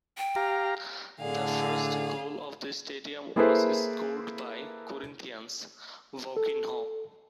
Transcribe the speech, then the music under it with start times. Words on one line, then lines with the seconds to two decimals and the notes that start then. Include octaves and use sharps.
The first goal of the stadium was scored by Corinthians' Vaguinho.
0.18 G5
0.36 G4 F5 A#5
1.20 A2 D3 G#4 F5
3.36 A#3 E4 G#4 A4 B4 C5
6.37 A4